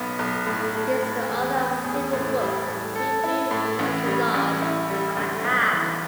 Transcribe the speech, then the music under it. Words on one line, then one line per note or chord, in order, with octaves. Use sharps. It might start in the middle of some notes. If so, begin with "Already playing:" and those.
He is the author of several books in Hebrew on monetary laws in "halakha".
Already playing: B1 B3
B1
A2
A3
A2
E2
B3
E2
A2
G3
A2
A4
E4
A2
A1
G3
A1
E4
G3
D2
B1
E3